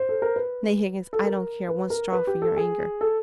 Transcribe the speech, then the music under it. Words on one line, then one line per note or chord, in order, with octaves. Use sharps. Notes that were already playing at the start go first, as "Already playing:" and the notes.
Nay, Higgins, I don't care one straw for your anger.
Already playing: C5
A4
A#4
B4
A4
A#4
B4
A#4
B4
G4
A4
G#4
A4